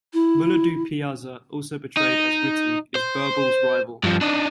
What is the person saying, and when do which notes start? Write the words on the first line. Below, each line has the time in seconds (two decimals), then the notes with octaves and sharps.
Mulla Do-Piyaza, also portrayed as witty, is Birbal's rival.
0.13 E4
1.97 D#4
2.95 C5
4.03 G2 F3
4.21 D4 D#4